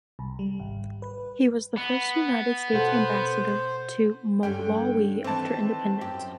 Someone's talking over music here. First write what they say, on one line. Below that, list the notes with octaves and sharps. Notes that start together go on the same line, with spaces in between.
He was the first United States Ambassador to Malawi after independence.
C2
G3
G#1
B4
B3
B2 A4 C5 F#5
G2 D3 C#4 G5
D#3 E3 C4 A5
F#2 G4